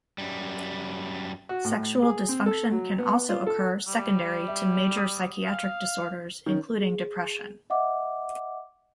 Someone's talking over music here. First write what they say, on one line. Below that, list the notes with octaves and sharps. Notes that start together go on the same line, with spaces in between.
Sexual dysfunction can also occur secondary to major psychiatric disorders, including depression.
F#2 G3
F#4
A2
G#4
C4
A4
F#3
B3
F4
A4
G3
E5
D#6 D#7
F5
D#3 C#4
G#4
D#5 E5 F#5 D6